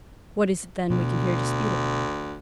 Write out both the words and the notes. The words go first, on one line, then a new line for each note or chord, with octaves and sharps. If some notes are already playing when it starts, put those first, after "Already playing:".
What is it then we can here dispute about?
D2 B2